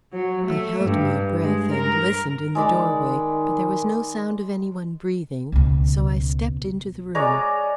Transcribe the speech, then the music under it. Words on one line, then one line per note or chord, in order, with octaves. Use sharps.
I held my breath and listened in the doorway, but there was no sound of any one breathing, so I stepped into the room.
F#3
A3
G2
G#3
A#4
D#3 G#3 D5 B5
C#2 B2
G#3 C#5 D5 A#5